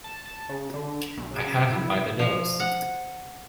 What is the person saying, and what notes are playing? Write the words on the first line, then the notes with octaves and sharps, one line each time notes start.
I have him by the nose!
A5
A5
C#3
D3
B1
C#3
E4
F3
F#5